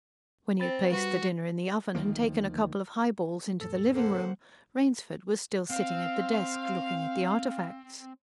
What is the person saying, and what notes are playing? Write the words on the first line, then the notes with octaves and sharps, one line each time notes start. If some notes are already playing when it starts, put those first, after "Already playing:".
When he had placed the dinner in the oven and taken a couple of highballs into the living room, Rainsford was still sitting at the desk, looking at the artifacts.
C4 B5 A6
G3 F#4 B4
D2 D#3 F3 A#3
F2 A2 A4
D3 A#3 C4 A4 C5 F#5
C4 F5